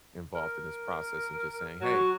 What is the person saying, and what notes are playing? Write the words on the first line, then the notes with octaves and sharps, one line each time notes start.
involved in this process, and just saying, "Hey,
A#4
F#3 F#4